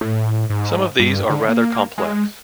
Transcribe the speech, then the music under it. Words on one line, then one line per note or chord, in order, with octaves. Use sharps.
Some of these are rather complex.
A2
G#2
G2
D3
A#3
G#3